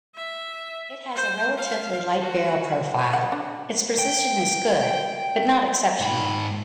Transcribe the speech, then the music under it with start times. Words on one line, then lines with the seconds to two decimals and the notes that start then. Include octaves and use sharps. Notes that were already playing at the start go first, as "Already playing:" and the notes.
It has a relatively light barrel profile; its precision is good, but not exceptional.
0.16 E5
1.15 C5
1.58 F5
2.21 F#4
3.13 F#5
3.32 D4
3.99 G5
6.01 G#2 B5